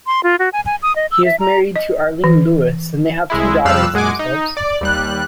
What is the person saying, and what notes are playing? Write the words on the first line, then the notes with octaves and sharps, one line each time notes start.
He is married to Arlene Lewis and they have two daughters themselves.
C6
F4
F#4
G#5
G#5
D#6
D#5
E6
E5
A#5
D#5
E3
C2 G#3 E4
F2 F3 G3 F5 E6 F#6
F#2 G#3 F#5 G#5 D6
D#4
D5
D#2 G3 F#6